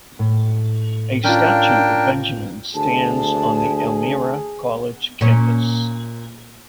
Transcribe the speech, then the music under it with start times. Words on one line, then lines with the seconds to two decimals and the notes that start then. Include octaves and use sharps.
A statue of Benjamin stands on the Elmira College campus.
0.19 A2
1.24 C#4 D4 F4 A#4 G5
2.75 D2 G#4 A5
5.21 A#2 C#4